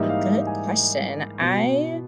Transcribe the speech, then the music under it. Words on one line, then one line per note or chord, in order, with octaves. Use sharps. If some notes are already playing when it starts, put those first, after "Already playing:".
a good question, I
Already playing: G#2 E3 G3 A#3 D#4 E5
F5
G#5
B2